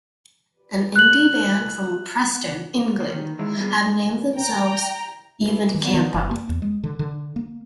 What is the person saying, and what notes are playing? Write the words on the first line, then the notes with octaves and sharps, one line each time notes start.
An Indie band from Preston, England have named themselves "Ivan Campo".
F#6 F#7
F3 A#3
D#3
D#3 G#3 E4
G3 A3 B3 F4 G#4
G5 A#5
D#3
D#3
F#1
A#3
E2
G#3
D3
D3
A#3